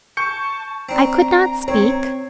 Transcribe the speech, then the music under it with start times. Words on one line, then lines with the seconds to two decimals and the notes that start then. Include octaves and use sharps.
I could not speak.
0.17 A5 C#6 G6 C#7
0.89 C4 D4 A#5
1.68 C4 C#5